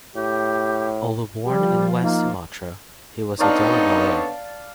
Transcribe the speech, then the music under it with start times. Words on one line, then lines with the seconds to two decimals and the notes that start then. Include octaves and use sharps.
Although born in West Sumatra, he was a Deli Malay.
0.16 A2 G4
1.45 F3 G3 F4 G4
2.02 A#3 D#4
3.40 D3 B3 C4 D#4 C#5 D5 F5 A5